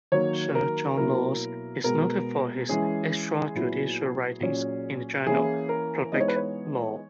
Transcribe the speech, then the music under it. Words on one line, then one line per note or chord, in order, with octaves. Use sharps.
Sir John Laws is noted for his extrajudicial writings in the journal, "Public Law".
D#3 F#3 A#3 C#5
A#4
B2 F#3 A#3 E4 A#4
B2 G#3 B3 A#4
E3 G#3 C#4 G#4
A#2 F#3 B3 E4
A#2 F#3 C#4
E3 A#3 C#4 E4 G#4
A#4
E3 G#3 B3 D#4 D#5
C#5
B4
C#5